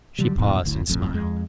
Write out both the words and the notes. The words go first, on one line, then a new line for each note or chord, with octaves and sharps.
She paused and smiled.
D3 F#3 G3
D#2 G#2 B2 E3
D1 G#1 D2 A2
E1 A#1 F2 A2
F2 G#3